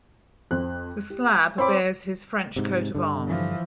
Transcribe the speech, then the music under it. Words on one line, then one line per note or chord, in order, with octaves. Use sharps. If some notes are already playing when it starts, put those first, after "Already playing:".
The slab bears his French coat of arms.
F2 C4 F#6
G4
C4 B4 C#5 B5 D6
G#2 C3
G2 D3
E3 F3